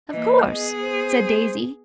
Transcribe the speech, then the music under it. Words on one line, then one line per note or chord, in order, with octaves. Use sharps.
"Of course!" said Daisy.
E3 A#3 D#5
B3 G#4
C5